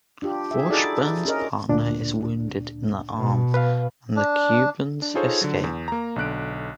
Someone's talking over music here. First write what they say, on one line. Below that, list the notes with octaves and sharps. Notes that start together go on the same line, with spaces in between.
Washburn's partner is wounded in the arm and the Cubans escape.
D4 F4 G4
G#4 E5
D#4 E4 F#4 G#4 A4 D5
C#4 G#4 A#4 D#5
D2 A#2 D4
B2
B4 F5
D4
D4
D#4 F4 G#4 A4 C5 C#5
D3 F#3
E2
A#3 A#5
B1 D3 F#6 D7